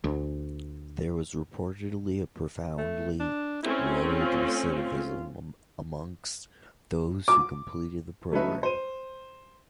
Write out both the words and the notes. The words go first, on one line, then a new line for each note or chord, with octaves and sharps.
There was reportedly a profoundly lowered recidivism amongst those who completed the program.
D2
A3
D4
A3 C4 C#4 E4
F4
F4
D6
F#3 A3 C#4 D#4 B4 E5
C5 D#7